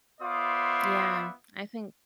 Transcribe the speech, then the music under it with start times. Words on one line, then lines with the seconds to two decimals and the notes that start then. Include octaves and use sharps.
Yeah, I think
0.21 B3 F4 C5 D5 E5 D#6